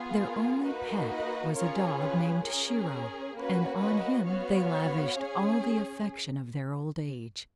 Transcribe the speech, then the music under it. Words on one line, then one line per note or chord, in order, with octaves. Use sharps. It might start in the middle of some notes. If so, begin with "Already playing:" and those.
Their only pet was a dog named Shiro, and on him they lavished all the affection of their old age.
Already playing: B3 F4 G#4
A#4
A#3 D#4 F#4 B4
B4 D#5
C#4 F4 G#4 A#4 C#5
B4
C#4 G#4 A#4
A#3 C#4 F#4 B4
B4 D#5
B3 F#4 C#5 F5
C#4 G#4